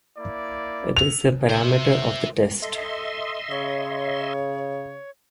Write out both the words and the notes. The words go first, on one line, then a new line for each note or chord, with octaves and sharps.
It is a parameter of the test.
A#3 E4 D5
F7
C5 E5
A4 D#5 E5 C6
C#3 C#5